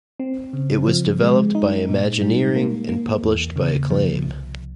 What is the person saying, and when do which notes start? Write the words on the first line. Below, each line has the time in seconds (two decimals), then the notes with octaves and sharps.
It was developed by Imagineering and published by Acclaim.
0.20 C4
0.53 C#3
0.87 F3
1.22 G#3
1.55 D#4
1.89 A#2
2.21 G3
2.55 A#3
2.89 A#3
3.23 E2
3.56 C#3
3.90 F3
4.24 C2